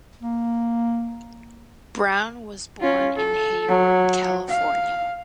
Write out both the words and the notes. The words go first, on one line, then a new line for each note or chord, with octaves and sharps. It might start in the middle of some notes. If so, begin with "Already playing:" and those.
Brown was born in Hayward, California.
A#3
C#4 F4
A4
F#3
F5